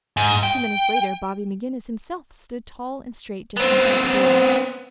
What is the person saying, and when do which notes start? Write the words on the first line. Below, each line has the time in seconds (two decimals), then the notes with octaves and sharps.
Two minutes later Bobby McGinnis himself stood tall and straight just inside the door.
0.17 G#2
0.43 G5
3.57 B3 C4